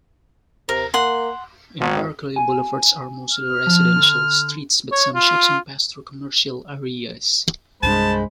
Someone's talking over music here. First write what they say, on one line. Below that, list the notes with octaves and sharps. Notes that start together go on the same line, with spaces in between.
In Berkeley, boulevards are mostly residential streets, but some sections pass through commercial areas.
C3 A#4
A#3 F#5 C6
G#1
G#5
F6
F3
D3
C#5
F4
C2 G2 G#3 D4 C5 A5 B5